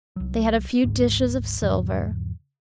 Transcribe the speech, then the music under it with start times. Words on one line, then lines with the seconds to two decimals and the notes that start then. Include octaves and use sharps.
They had a few dishes of silver.
0.16 C2 F#3
0.84 G#1 D2 G#2
1.62 E2 G#2 C#3 F3